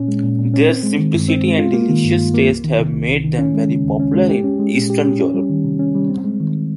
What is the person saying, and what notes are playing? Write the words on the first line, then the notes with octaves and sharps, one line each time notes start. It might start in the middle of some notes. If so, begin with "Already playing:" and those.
Their simplicity and delicious taste have made them very popular in Eastern Europe.
Already playing: A#2 C#4
G#3
A#2
A#2
C#4
C4
G#3
D#3
G2
C4
G#3
F4
A#3
D#3
G2
F4
A#3
C2
D#3
C3
C2
C2
D#3
C#4
G#3
C#3
D#2
C#4
G#3
G4
C#4
G#3
A#2
G4
C#4
C#4
G3
D#3
C3
C#4
G3
C4
G#3
D#3